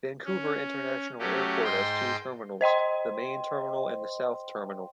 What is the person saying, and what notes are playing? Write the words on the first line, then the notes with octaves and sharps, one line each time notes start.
Vancouver International Airport has two terminals: the Main Terminal and the South Terminal.
C#4
F#3 A3 C#4 G4
G#2 D#5 G5 C6
C5 D#5 G5 C6